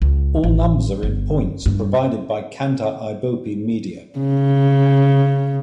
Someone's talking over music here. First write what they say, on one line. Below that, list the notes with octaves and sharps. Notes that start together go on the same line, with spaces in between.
All numbers are in points and provided by Kantar Ibope Media.
C#2
A1
G1
G2
C#3